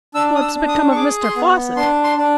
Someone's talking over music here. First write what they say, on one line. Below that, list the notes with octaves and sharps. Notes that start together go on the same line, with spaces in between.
"What's become of Mr Fosset?"
D4 E6
D#6
E6
D4
D#6
C#6
G#4 D6
C6
B3
D4 C6
C6
D4